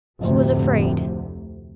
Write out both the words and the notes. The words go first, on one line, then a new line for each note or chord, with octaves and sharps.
He was afraid!
F1 D2 A2 C3